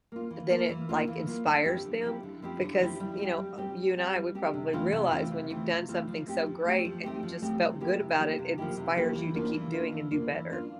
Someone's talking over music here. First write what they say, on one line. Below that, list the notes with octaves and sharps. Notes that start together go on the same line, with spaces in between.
eh, then it, like, inspires them because, you know, uh you and I, we probably realize when you've done something so great and you just felt good about it. It inspires you to keep doing and do better,
A#3 F4
E3
A#3 F4
E3
A#3 F4
E3
A#3 F4
D3
F3 C4 E4 G4
D3
F3 C4 E4 G4
D3
F3 C4 E4 G4
D3
F3 C4 E4 G4
G3
C4 G4
G3
C4 G4
G3
C4 G4
G3
C4 G4
C3
E3 A3 C4 F4
C3
E3 A3 C4 F4
C3
E3 A3 C4 F4
C3
E3 A3 C4 F4
F3
A3 C4 G4
F3
A3 C4 G4
F3
A3 C4 G4
F3
A3 C4 G4
C3
F3 A#3 E4 G4
C3
F3 A#3 E4 G4
C3
F3 A#3 E4 G4
C3
F3 A#3 E4 G4
E3
A#3 D4 F4
E3
A#3 D4 F4
E3
A#3 D4 F4
E3
A#3 D4 F4